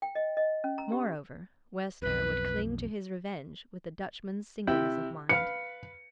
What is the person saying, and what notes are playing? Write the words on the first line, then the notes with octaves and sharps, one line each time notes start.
Moreover, Wessner would cling to his revenge with a Dutchman's singleness of mind.
G5
D#5
D#5
C#4
A#5
G4
B1 F2 B4
C3 E4 G5
B4 F5 C#7